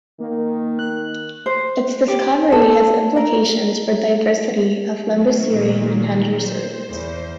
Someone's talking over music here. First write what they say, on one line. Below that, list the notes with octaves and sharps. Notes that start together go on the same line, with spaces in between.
Its discovery has implications for the diversity of lambeosaurine hadrosaurids.
D#3 A#3
F#6
C5
G4
A4
A#4
D#3 F#3
A#2
C5
E2